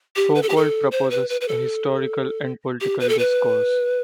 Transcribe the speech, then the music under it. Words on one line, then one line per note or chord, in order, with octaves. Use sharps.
Foucault proposes a "historical and political discourse".
G4
B4
A4
G4
A4
C5
B4
B4
B4
A4
G4
B4
A4
B4